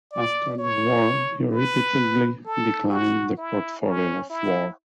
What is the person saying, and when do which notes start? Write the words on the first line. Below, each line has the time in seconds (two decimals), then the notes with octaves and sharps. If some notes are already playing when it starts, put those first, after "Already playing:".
After the war he repeatedly declined the portfolio of war.
0.13 D5
0.59 C#5
1.52 B4
2.45 A4
2.91 F#4
3.37 E4
3.85 C#4
4.30 E4